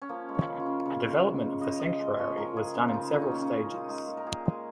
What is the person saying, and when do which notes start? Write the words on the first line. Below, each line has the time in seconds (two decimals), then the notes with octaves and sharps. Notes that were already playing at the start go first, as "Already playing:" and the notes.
The development of the Sanctuary was done in several stages.
0.02 C#4
0.09 F3 A#3
0.29 G#3
0.35 C#4
0.47 C#3
0.60 F4
0.66 C#3
0.86 C#3
1.04 G#3
1.24 C#3
1.42 G#3
1.61 C#3 D#5
1.80 C#3 D#5
1.99 G#3 D#5
2.19 F3 C#5
2.37 G#3 A#4
2.56 C#3 G#4
2.75 C#3
2.88 F4
2.93 C#3 D#4
3.13 A#2 D#4
3.22 C#4
3.31 A#2 A#3
3.41 C#4
3.51 G#3
3.70 G#3
3.88 G#3 D#4
4.08 A#2
4.17 A#4
4.27 A#2 G#4
4.45 G#3